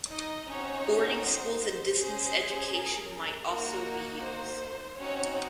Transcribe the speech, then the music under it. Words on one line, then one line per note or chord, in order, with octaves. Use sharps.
Boarding schools and distance education might also be used.
D#4 D#5
C4 C#4 D#4 F#4 C#5
C5
C5
C#4 G#4 C5
A#4
A#3 D#4 F#4
C5
C4 C#4 D#4 F#4 C#5